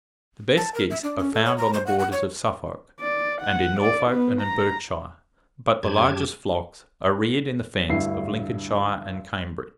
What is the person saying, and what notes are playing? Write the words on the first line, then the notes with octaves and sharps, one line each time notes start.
The best geese are found on the borders of Suffolk, and in Norfolk and Berkshire; but the largest flocks are reared in the fens of Lincolnshire and Cambridge.
A5
A#4
E5
D4
C#4
A4
C#5
A#5
C5
F#5
F#5
C#5
D5
F#5
D5
B3
A#5
F#2 G4 A5 G#6
D2 G2 E4 C7